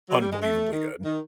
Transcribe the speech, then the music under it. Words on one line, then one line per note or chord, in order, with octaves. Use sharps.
unbelievably good.
F#3
G3
G#3
A3
D#3
D#3